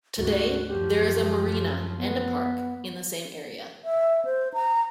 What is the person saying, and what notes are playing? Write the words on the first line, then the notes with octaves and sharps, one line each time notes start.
Today there is a marina and a park in the same area.
D2 G#2 F#4
F#2 F3 G4
B3
E5
C5
A#5